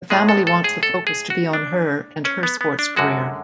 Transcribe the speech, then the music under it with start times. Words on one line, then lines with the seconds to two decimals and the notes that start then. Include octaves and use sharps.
The family wants the focus to be on her and her sports career.
0.10 A2 G#3 G#4
0.29 A4
0.47 A4
0.64 G#4
0.83 A4
1.07 G#4
1.30 F#4
1.53 D4
2.25 C#4
2.43 B3
2.61 B3
2.79 D4
2.96 F#2 D3 G#3 F#4